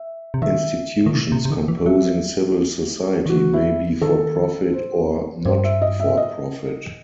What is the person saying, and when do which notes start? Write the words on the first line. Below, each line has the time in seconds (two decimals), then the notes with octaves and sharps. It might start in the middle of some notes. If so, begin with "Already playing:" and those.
Institutions composing civil society may be for-profit or not-for-profit.
Already playing: E5
0.34 C3
0.42 D#3 E5
1.06 D#3
1.14 C3
1.32 C3
1.45 C3
1.50 D#3
1.68 E3
1.85 F#3 E5
3.26 D#3
3.29 E3 F#4
3.53 E4
4.01 D#3 A4
4.73 C5
5.45 G2 C5
5.64 E5
5.82 D#5
6.00 E5
6.17 D#5